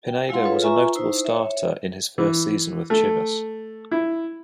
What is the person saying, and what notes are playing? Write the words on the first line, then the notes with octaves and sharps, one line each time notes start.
Pineda was a notable starter in his first season with Chivas.
G5
G#3 E4 F4 F5 F#5 C6
F4 G#4 A4 B4 C#5
F4 B4 E5 G#5 A#5 C#6
D#4 E4 C5
C#5 E5
E3
A3
E4